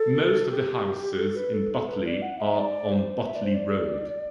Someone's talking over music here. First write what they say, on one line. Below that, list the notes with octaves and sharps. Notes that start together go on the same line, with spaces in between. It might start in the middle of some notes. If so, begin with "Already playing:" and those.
Most of the houses in Botley are on Botley Road.
Already playing: A4
G4
A4
B4
A4
B4
D5
F#5
E5
D5
C5
E5
D5
C5
D5